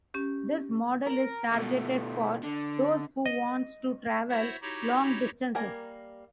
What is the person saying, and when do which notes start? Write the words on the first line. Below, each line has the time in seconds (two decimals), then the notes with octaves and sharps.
This model is targeted for those who wants to travel long distances.
0.14 C#4 G4
1.07 A#4
1.51 B2 A3
2.43 D3
3.26 D#5
4.29 E4 F#4 C5 C#5 E5 F#5
4.62 D#4 E4 F#4 G4 C#5
5.55 G3 A#3 A#4 G#5